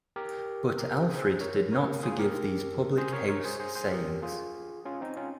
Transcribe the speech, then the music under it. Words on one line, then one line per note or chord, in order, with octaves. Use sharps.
But Alfred did not forgive these public-house sayings.
G4 A#4
G4 A#4
G#4 C5
A#4 C#5
A#4 C#5
F4 G#4
G4 A#4
G#4 C5
A#4 C#5
A#4 C#5
G#4 C5
G#4 C5
G#4 C5
G4 A#4
F4 G#4
C#4 F4
C4 D#4
C#4 F4